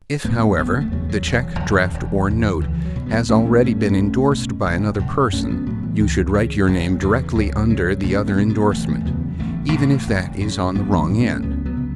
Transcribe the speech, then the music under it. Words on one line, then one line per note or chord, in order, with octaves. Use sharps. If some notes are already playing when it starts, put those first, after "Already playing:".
If, however, the check, draft or note has already been indorsed by another person, you should write your name directly under the other indorsement, even if that is on the wrong end.
A2 F#3 B3
E1 F#3 B3
A3
E2 C#3 F#3
F#3
E1 F#3
E2 C#3
E1
E2 C#3
C#2 E3
F#3
B2
F#3 B3
A1 A3 C#4
A3 C#4
A2 A3 C#4
A3 C#4
B1
B2
F#1
F#2 C#3
B1 A3 C#4
F#3 B3
A2 F#3
E3
C#2
C#3
F#1 F#3
E2 C#3 E3
C#2 F#3
C#3 F#3
B1 A3 C#4
F#3 B3
B2
F#3 B3
F#1 E3 A3
E2 C#3 F#3 B3
A1 E3 A3
A2
F#1
F#2 C#3
A1 F#3 B3
F#3 B3
A2
A3 C#4
C#2 F#3 B3
F#3 B3
C#3